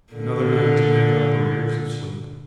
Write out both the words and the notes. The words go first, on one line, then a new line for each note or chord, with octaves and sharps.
Another night to make up arrears of sleep.
A#2 D3